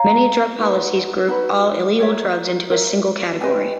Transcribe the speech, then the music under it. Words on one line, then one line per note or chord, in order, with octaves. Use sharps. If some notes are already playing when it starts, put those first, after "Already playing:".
Many drug policies group all illegal drugs into a single category.
Already playing: C#5 F5 A#5
D#4 F#4 B4
D#4 F#4 B4
A#4 C#5 E5
A#4 C#5 E5
G4 B4 D#5 G#5